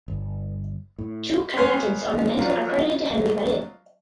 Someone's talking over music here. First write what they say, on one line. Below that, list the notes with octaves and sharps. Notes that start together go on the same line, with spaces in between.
Two caryatids on the mantel are credited to Henri Varenne.
G1
A2
B3 A#4 C#5 G#5 B5 C6
F3 F#3 F4